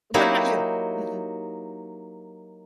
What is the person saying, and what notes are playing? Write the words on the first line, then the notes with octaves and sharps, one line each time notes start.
What about you? Mhm.
F#3 A#3 D#4 E4 G4